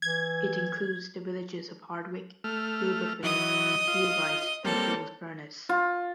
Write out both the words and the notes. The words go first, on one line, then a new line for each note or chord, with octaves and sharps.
It includes the villages of Hardwick, Gilbertville, Wheelwright and Old Furnace.
E3 G#6
A3 F6
E3 F#3 D#5 D#6
F4
G3 A#3 C4 A4 C#5
F4